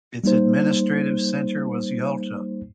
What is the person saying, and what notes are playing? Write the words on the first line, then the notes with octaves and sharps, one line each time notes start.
Its administrative centre was Yalta.
G3 A#3 D#4 C5